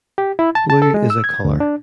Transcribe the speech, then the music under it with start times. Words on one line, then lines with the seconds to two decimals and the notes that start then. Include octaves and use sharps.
Blue is a colour.
0.18 G4
0.39 E4
0.55 A5
0.70 A5
0.82 A4
0.94 G#3
1.10 E6
1.24 G#6
1.45 D2
1.60 D4